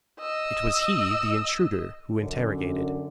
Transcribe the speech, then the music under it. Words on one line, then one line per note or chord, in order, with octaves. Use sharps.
It was he, the intruder, who interrogated.
D#5 E6
F#2 D3